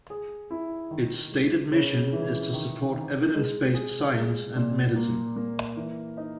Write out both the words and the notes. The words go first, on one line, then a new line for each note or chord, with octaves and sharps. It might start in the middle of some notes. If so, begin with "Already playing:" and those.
Its stated mission is to support evidence-based science and medicine.
G#4
E4
D#3
G#3
C#3
E3
D#3
D#3
G#3
G#4
G#3
A#2
A#3
A#3
E3
D#4